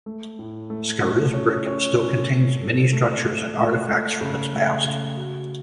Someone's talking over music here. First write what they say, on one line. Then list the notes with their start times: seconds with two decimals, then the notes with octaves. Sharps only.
Scarisbrick still contains many structures and artefacts from its past.
0.06 A3
0.39 A2
0.70 A3
1.02 A3
1.34 C#4
1.66 C#4
1.97 C#4
2.30 C#4
2.62 A4
2.93 A3
3.25 A3
3.58 A3
3.88 A3
4.21 C#3
4.53 A3
4.84 C#3
5.17 F#4